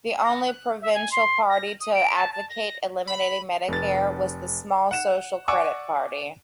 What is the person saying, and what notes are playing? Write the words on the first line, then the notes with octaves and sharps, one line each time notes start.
The only provincial party to advocate eliminating Medicare was the small Social Credit Party.
A#6
F#6
E5
G#5
C6
A#6
D#6
D7
A5
A5
A#6
B5
F1 A6
F#5 E7
D5 F#5 G#5 C#6 D6 E6